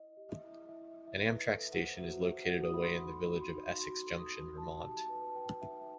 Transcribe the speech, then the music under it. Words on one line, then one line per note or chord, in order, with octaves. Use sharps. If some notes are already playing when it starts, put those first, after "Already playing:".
An Amtrak station is located away in the village of Essex Junction, Vermont.
Already playing: E4 D#5
G4
E5
E4
E4 E5
E4
E5
B4
A4 E5
C5 F#5
F#4 E5
C5 E5
F#5
F#4
D#6
A4 B5
C6
D#4 B5
F#4
C6
D#4
F#4 C6
A4
D#6
F#4
D#4 A5
G4
A5
B4
B4 G5
D#4 E5